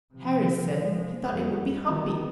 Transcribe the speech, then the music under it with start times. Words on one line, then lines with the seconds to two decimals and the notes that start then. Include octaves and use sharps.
Harris said he thought it would be humpy.
0.14 C3 F3
0.83 F3 G#3
1.28 F2 G3
1.86 D#3 B3